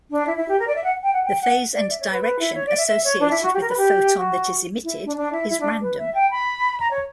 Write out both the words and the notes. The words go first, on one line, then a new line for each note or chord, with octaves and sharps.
The phase and direction associated with the photon that is emitted is random.
D4
E4
E4
G4
A#4
D5
E5
F#5
G5
F#5
G5
F#5
D5
E5
C#5
B4
B4
E4
C#5
D5
E5
E5
C#5
D4
E4
F#4
G4
A#4
B4
G4
F#4
E4
D4
D4
E4
E4
D4
B4
E5
G5
B5
A#5
C#5